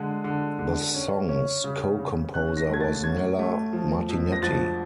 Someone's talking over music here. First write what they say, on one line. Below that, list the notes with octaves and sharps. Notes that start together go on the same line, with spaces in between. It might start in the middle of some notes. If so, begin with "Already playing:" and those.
The song's co-composer was Nella Martinetti.
Already playing: D3 G#3
D3
D3
C#4
C#4
C#3
C#3
C#4 F#6
A#6
A3 G#6
A6
C#4 G#6
A3
F3
F2
A#6
F3 A6